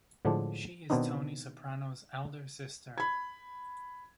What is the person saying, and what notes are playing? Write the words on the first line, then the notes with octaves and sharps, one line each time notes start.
She is Tony Soprano's elder sister.
A2 D3 F3 G#3 D4
B2 D#3 B3 C4 D4 D#4
B5 G#6